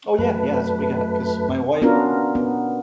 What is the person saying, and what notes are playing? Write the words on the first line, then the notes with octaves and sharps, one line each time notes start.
Oh yeah, yeah, that's what we got, 'cause my wife y
F#2 A3 B4
B3 C#4 D4 F4 F#4 A#4
B3